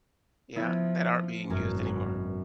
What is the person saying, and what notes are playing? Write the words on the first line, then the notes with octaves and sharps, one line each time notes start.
Yeah, that aren't being used anymore.
F3 B3 E4
G#1 F#2 B2